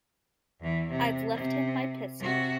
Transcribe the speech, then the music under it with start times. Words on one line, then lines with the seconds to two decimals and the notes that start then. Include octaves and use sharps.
I've left him my pistol.
0.61 E2 E3
0.91 C3
1.34 C3
2.20 C3 F#4